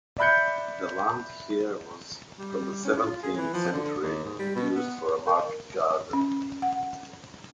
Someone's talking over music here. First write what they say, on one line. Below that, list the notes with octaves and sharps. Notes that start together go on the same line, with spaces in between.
The land here was, from the seventeenth century, used for a market garden.
D5 E5 B5 F#6 G6 C#7
G3
C#4
F4
G#4
E3
F3
D3
D#2
G#2
G3
B2
B3
A#4
C#4
F#5